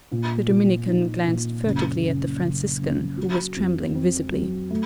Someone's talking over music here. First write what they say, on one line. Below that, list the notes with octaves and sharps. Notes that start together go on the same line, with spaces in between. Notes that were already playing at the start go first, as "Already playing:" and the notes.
The Dominican glanced furtively at the Franciscan, who was trembling visibly.
A#2
A#2
D#4
A#2
F#1
F#1
F#1
F#1
F#3
F2
C4
F#3
A3